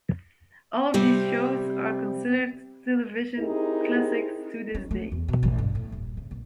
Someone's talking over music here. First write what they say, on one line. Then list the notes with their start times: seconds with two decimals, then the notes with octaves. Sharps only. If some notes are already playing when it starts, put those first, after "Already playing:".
All of these shows are considered television classics to this day.
0.94 C3 G3 C4
3.39 C4 D#4 E4 G4 G#4 A#4
4.75 C#4
4.91 A3
5.12 E2
5.28 B2
5.43 A1
5.58 G2
5.75 A2
5.92 D#1
6.17 C#3
6.31 A#1